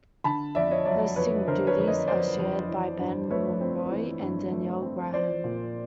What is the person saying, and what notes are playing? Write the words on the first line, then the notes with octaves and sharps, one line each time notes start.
Hosting duties are shared by Ben Mulroney and Danielle Graham.
D3 A5 B5
F2 D5 E5
C#5 D#5
F#3 D5 E5
F2 B4 C#5
D3 A#4 C5
B4 C#5
F2
C#5 D#5
F#3 C5 D5
F2
E3
G2
A3 B4 C#5
C4
E3
G2
A3
C4
F3 C5 D5
A#2